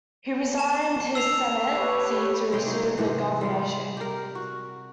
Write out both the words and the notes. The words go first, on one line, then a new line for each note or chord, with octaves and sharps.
He resigned his Senate seat to assume the governorship.
A5 E7
E6 C7 F7
G4 B4 C#5
C3 G#3 G#4 G5
F#3 D#4
G#2 C3 D#3 E3
G3 G#3 F4
G4 A#4
F#4